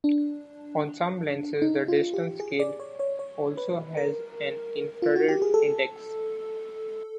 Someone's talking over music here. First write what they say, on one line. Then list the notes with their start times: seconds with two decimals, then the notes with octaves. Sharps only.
On some lenses the distance scale also has an infrared index.
0.04 D4
1.62 D#4
1.88 F4
2.14 G4
2.40 G#4
2.60 D5
2.80 C#5
2.99 C#5
3.19 C#5
3.57 B4
3.97 A#4
5.02 F4
5.16 F#4
5.28 G4
5.42 G#4
5.54 A4